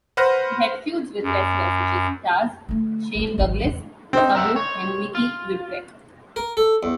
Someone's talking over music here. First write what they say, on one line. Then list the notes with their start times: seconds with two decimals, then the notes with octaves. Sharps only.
He had feuds with wrestlers such as Taz, Shane Douglas, Sabu, and Mikey Whipwreck.
0.17 B4 C5 F#5 F6 F#6 A#6
1.22 F#2
2.68 D3 A3
3.15 E3 A3
3.38 G#1 D#3
3.61 E2 C#3
4.13 C4 D#4
4.35 A#4 E5 F#5
4.56 C#5
5.15 F4
6.36 A#4
6.57 A4
6.83 E2